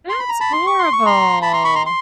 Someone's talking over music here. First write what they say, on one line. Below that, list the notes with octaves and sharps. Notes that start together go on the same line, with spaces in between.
That's horrible.
C6
B5
A#5
A5 B5
C6
C#6
C6
C#6
A#5 C6
A5 B5
A#5 C6
B5 C#6
A#5 C6
C6